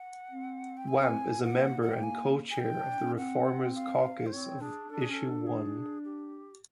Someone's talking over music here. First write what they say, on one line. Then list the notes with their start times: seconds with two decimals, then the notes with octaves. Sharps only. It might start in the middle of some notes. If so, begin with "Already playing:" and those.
Wamp is a member and co-chair of the ReFormers Caucus of Issue One.
Already playing: F#5
0.31 C4
0.77 G5
0.88 G#5
1.45 A#3 F#5
1.82 F#5
1.93 G5
2.03 G#5
2.51 G#5
2.60 C4 G5
2.79 D4
2.99 C#4
3.18 C4 F#5
3.75 F5
4.26 C5
4.32 C4 C#5
4.61 D4 G#4
4.89 D4 A4
5.01 G#4
5.09 C#4 A4
5.29 D4
5.47 G#4
6.05 G4